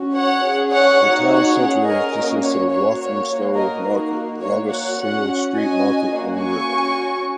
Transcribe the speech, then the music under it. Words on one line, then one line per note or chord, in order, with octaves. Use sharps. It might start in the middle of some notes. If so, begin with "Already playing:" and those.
The town centre consists of Walthamstow Market, the longest single street market in Europe.
Already playing: C#4 F#4
C#5 F#5
C#4 G#4
C#5 F#5
A#3 D#4 F#4
C#5 F#5
C#4 G#4
A#4 D#5
A#3 C#4 F#4
C#5
A#3 F#4 C#5
C#5
A#3 F#4
A#4 D#5
A#3 D#4 F#4 A#4
A#3 F#4 C#5
C#5 F#5
C#4 F#4 C#5 F#5
C#4 F#4 D#5 G#5
A#3 C#4 F#4
G#5 C#6
C#4 F#4